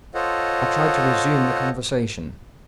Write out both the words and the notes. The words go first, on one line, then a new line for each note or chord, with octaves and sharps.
I tried to resume the conversation.
F4 A4 C5 C#5 D#5 F#5